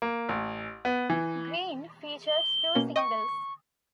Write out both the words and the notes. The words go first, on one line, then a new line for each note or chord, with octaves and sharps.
"Green" features two singles.
A#3
A1
B3
E3
G7
B2 A#3 C#4
D#5 G5 C#6 D#6